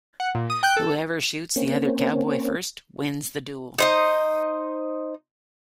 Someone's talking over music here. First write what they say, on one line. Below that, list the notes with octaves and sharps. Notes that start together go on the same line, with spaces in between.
Whoever shoots the other cowboy first wins the duel.
F#5
A#2
D#6
G5 F#6 G6
A4
A#3 C4 C#4
D#4 C5 D#5